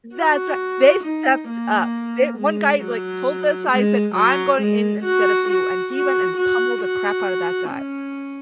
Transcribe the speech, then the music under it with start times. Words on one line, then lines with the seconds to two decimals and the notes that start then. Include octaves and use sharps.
That's ri they stepped up. They one guy, like, pulled aside and said, "I'm going in instead of you." And he went and pummeled the crap out of that guy.
0.16 F#4
1.04 D#4
1.49 A#3
2.37 G#3
2.82 F#3
3.71 G#3
4.15 F#3
4.60 G#3
5.04 F#4
5.48 F#4
5.93 F#4
6.37 F#4
6.82 F#4
7.70 C#4